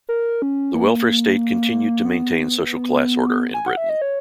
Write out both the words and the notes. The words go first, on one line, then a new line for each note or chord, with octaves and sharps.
The welfare state continued to maintain social class order in Britain.
A#4
C#4
A#3
B3
G#5
F#5
E5
D#5
C#5